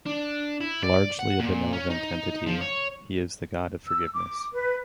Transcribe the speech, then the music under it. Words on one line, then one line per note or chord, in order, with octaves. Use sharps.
Largely a benevolent entity, he is the god of forgiveness.
D4
E4
D5
F#5
A#2
C#4
D#4
F3
C#5
E6
D6
B4